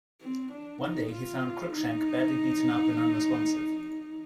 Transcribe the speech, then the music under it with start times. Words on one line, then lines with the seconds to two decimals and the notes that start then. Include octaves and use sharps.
One day he found Crookshank badly beaten up and unresponsive.
0.22 C4
0.52 D4
0.82 D#4
1.12 F4
1.73 D#4